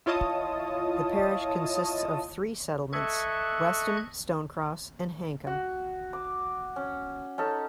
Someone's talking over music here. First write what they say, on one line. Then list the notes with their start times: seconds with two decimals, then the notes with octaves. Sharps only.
The parish consists of three settlements: Westham; Stone Cross; and Hankham.
0.06 E4 F4 C#5 D#5 A5 D#6
2.93 A4 D#5 E5 C#6 F#6 G#6
5.47 F#4
6.13 D6
6.76 C#4
7.38 C#4 D#4 A4